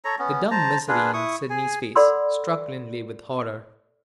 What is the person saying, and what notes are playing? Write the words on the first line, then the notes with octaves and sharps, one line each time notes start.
The dumb misery in Sydney's face struck Linley with horror.
A4 C#5 A#5
B3 C#4
C5 A5 A#5
D4 F4 G#4 B4
E4 C#6 D#6
G#4 G#5
A4 D5 F#5 B5 C6 E6